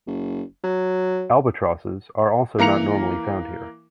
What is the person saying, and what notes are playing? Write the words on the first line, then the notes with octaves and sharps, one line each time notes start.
Albatrosses are also not normally found here.
F#1
F#3
E3 A#3 A#5 C#7 F7